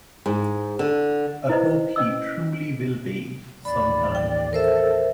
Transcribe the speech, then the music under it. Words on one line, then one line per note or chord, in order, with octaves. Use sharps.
I hope he truly will be, sometime.
G#2
D3
E4 B4 C5 D#5 A#5
C#4 D#5 E6
A1 D#2 D5 B5
G5
A4 A#4 C5 E5